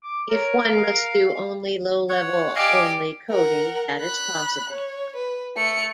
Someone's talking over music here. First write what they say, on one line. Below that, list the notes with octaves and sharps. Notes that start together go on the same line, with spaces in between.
If one must do only low-level-only coding, that is possible.
D6
A#4 C#5
F5
C#5 F#5
G4 D5 D#5 F5 G#5
A#4 F#5
B5 F#6
C#5
B4
A3 C#7